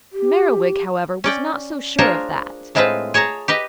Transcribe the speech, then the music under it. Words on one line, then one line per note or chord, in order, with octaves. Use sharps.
Merriwig, however, was not so sure of that.
G4
C#4 D5 G5
D4 F4 G#4 A#4 C5 C#5
A2 G#3 C4 F4 B4 C5
G#4 C#5 A5 A#5
G4 B4 D#5